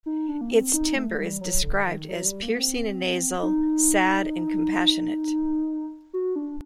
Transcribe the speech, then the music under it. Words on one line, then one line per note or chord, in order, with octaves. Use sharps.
Its timbre is described as "piercing and nasal, sad and compassionate".
D#4
D4
A#3
C4
D#4
A3
G3
F#3
D3
D#3
F#3
G3
A#3
C4
D#4
F#4
D4